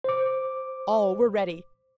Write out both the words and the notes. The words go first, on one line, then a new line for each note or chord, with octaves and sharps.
All were ready.
C5 D6